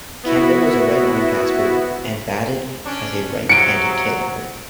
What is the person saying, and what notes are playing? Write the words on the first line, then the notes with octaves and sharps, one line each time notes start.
Campbell was a right arm fast bowler, and batted as a right-handed tail ender.
B3 E4 F#4
C#4 D4
C3 F3 F#3 C#7 D7